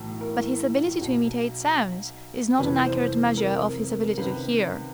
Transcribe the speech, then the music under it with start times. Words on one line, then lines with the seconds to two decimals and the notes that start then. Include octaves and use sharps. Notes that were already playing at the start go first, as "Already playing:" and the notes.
But his ability to imitate sounds is not an accurate measure of his ability to hear.
Already playing: B1 A2 E3
0.21 A#4
1.00 B1 B2
2.59 F1 F2 C3 E3 B4
2.85 C5
3.37 A#4
3.65 A#4
3.91 A#4
4.17 C#2 C3 D#3 B4